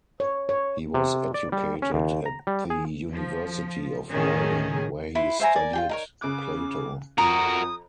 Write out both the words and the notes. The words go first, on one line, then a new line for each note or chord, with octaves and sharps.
He was educated at the University of Leiden, where he studied Plato.
C#5
C#5
C3
D5
G3
C#4
D#2
A#5
G3
G#4
F3
A2 D#3 C#4 G#4
E4 B4 C6
C5 E5 G#5 A#5
A#4 D5 G#5
F4 G#4 G5
D#4 A#4 C#5
C#3 D6 F#6
F2 F#4 A#4 A#5 D#6